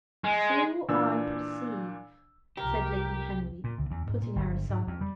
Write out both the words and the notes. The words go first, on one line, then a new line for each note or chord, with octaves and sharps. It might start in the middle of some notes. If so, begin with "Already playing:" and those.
"So I perceive," said Lady Henry, putting her aside.
G#3
A#2 E3 D4 E6
C2 F2 G4 A#4
A#2
D2
E2
G#2
A#2
G1
G#2
F2
G3